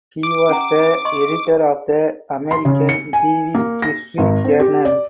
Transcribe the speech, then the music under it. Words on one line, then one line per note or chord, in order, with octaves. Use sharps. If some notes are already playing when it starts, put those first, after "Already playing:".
He was the editor of the "American Jewish History" journal.
D6
C#4 F#5 A#5
D#5 C6 C#6
C6
C#3
C#7
G#5
A#3
A#6
G#1
C4
G4
D5